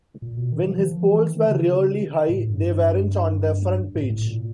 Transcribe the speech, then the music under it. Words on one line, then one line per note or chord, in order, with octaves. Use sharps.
When his polls were really high they weren't on the front page.
A#2
B2
D#3
F3
F3
E3
D#3
C#3
A2
G2
A2
A2
A#2